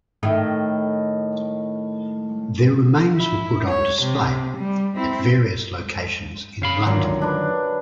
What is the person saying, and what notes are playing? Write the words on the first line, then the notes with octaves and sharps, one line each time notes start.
Their remains were put on display at various locations in London.
A2 D#3 A3
E4
C#5
C3
G3
C4 E4
C#3 F5 B5
F#2 A#2 D3 D#3 F#3 C6
D4 B4